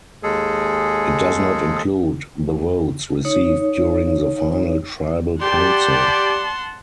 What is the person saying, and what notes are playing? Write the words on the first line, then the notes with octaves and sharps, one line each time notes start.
It does not include the votes received during the final Tribal Council.
D#2 G#3 G#4 A4
D#4 C#5
G4 D5 F#5 A5 C6